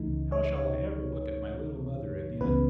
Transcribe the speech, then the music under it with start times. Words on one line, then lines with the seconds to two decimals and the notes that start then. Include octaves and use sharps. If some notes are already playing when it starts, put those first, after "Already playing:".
How shall I ever look at my little mother again?
Already playing: C#2 C#3 E3 A3 D#4
0.32 C#5
0.56 C#5
2.40 C#2 C#3 E3 B3 B4